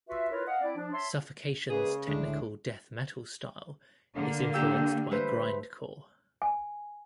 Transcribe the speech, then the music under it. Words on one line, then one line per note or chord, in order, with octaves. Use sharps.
Suffocation's technical death metal style is influenced by grindcore.
F4 F#4 B4 E5
E4 F4 A#4 B4 C#5
D#5 F5 F#5
C4 E4 D5
F3 D4
C#5 E5 A5 C6
C#3 G#3 A#3 G#4 B4
C#2 A2 D3 G#3 A3 D4
D3 A#3
G4 G5 E6
A3 B4 C5
G#5